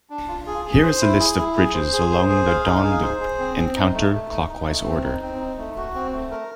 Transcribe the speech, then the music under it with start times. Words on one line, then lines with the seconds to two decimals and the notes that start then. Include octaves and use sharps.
Here is a list of bridges along the Don Loop in counter-clockwise order.
0.10 D4
0.28 F4
0.47 G#4
0.65 G#4
0.83 C5
1.01 E4
1.19 G#4
1.38 E4
1.56 G#4
1.74 C5
1.93 G#4
2.11 C5
2.29 G#4
2.47 F5
2.65 D#4
2.84 G#4
3.02 C5
3.20 G#4
3.39 C4
3.57 C4
3.76 D#4
3.94 A3
4.12 A3
4.30 D#4
4.49 D#4
4.67 A3
4.85 C4
5.04 D#4
5.22 C4
5.39 D#4
5.58 A3
5.76 F#4
5.94 C4
6.13 A3
6.31 A#4